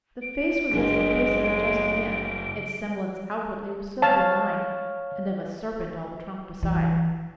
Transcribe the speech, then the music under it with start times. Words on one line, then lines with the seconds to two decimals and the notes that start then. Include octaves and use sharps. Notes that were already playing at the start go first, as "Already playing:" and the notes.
The face was as the face of a just man, Its semblance outwardly was so benign, And of a serpent all the trunk beside.
0.22 D7
0.74 F#1 F#3 G#3 D4
4.02 C#5 F5 A5 F6
6.63 E3